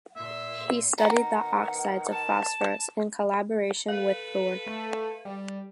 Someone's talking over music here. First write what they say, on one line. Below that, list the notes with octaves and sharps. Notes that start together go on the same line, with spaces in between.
He studied the oxides of phosphorus in collaboration with Thorpe.
A#2 E5 C6
B2 D#3 F#5 A#5
A5
A4 B4 F5
A3
G3